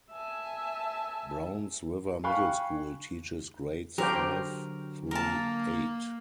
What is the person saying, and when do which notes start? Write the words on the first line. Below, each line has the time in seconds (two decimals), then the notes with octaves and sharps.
Browns River Middle School teaches grades five through eight.
0.11 E5 G#5 A5
2.24 F5 G5 G#5 B5 C#6 F#6
3.98 D3 F#3 G4 A#4 C5 G5
5.11 A#3 A#4 A5